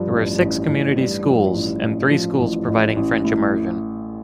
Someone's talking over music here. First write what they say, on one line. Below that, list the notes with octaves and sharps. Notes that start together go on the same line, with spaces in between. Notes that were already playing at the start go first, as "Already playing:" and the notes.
There are six community schools, and three schools providing French immersion.
Already playing: G2 F3
A1
A1
A1
G2
F3
A1
A1
F3
A1
A1
A1
A2